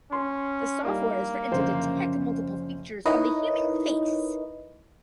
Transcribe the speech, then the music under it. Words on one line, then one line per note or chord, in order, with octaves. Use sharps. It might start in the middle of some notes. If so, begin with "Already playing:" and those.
The software is written to detect multiple features on the human face.
C#4 C6
G3 A#3 D4 D#4
F#1 D3 F3 C#4 C5
D#4 E4 A#4 B4 C#5 D#5